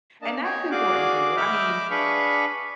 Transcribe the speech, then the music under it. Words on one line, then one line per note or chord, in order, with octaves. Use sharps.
And that's important too, I mean,
A#3 D4 D#5 A5
C#5 D#5 G5 G#5
F#4 G#4 D5 F5 D6 F#6
D#5 E5 B5 D6 F6 G6
D4 G#4 B4 F5 B5 C#6